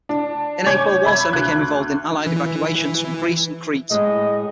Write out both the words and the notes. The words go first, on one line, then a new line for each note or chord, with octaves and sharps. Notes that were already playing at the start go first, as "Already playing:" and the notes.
In April, "Waterhen" became involved in Allied evacuations from Greece and Crete.
D4
C#5 G#5 D6 G6 G#6
E5 B5 G#6
D2 F#6
E3
A2 G#3 A3 D#5